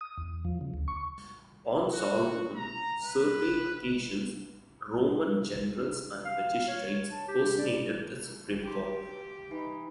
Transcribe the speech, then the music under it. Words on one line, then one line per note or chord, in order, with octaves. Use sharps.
On solemn certain occasions Roman generals and magistrates personated the supreme god.
D#6
E2
F3
C#3
D2
C#6
F#4
A#5
B4
F5
C#5
A5
G4
D5
G4 G5 C6
E3 D#4